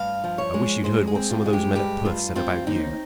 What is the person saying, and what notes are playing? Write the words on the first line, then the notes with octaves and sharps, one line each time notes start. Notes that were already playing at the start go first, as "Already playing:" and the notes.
"I wish you'd heard what some of those men at Perth said about you."
Already playing: G2 F5
F3
C#5
G#3
G#3 C5
G#4
C4
F4
G#3
G4
G2 G4
G2 F4
C4 F4
D#2 D#4